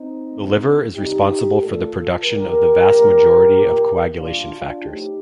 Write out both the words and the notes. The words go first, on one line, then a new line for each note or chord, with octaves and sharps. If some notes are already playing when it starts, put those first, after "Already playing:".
The liver is responsible for the production of the vast majority of coagulation factors.
Already playing: C4 D#4
C3 D#3 A3
C3 G3 D#4 G4
A#2 A3 F4 A4
D3 G3 G4 A#4
A#2 F3 A3
A#2 F3 A3
A#2 G3 D4 F4
D4 F4
A2 F3 A3 D#4 G4